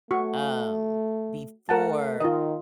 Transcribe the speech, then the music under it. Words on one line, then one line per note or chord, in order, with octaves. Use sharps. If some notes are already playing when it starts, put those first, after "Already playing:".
Um, before
A3 F#4 C#6
A3 A#4 F#5 A5
D#3 F4 D#5